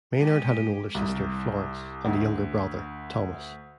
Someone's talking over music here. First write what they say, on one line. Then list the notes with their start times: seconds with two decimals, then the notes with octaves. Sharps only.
Maynard had an older sister, Florence, and a younger brother, Thomas.
0.15 G#3 G4
0.95 C2
2.05 D2